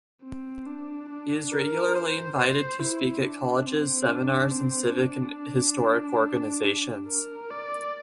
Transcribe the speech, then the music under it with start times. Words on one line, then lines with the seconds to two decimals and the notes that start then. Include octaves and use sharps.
He is regularly invited to speak at colleges, seminars, and civic and historic organizations.
0.24 C4
0.66 D4
1.10 D4
1.52 A#4
1.95 C5
2.37 C5
2.80 E4
3.24 D4
3.66 C4
4.08 D4
4.51 C4
4.94 D4
7.07 A#4
7.50 D5